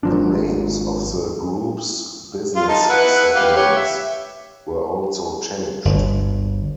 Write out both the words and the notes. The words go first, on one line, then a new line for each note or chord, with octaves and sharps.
The names of the Group's business segments were also changed.
G#1 F3 D4
F4
D#4 A5
E4 B4 F#5
G4 B4 F5
G4 C#5
E5
G1 D2